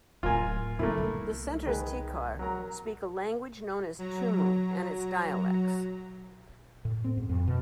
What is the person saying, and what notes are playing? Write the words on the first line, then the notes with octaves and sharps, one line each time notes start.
The Centre's Tikar speak a language known as Tumu and its dialects.
D1 A3 F4 A#4 G#5
C#3 F#3 A3 A#3 E4
C2 B3
D#3 G#3 B4
F#3 A#4 A#5
F#3 A#5
A2
C4
G#2
F2
B2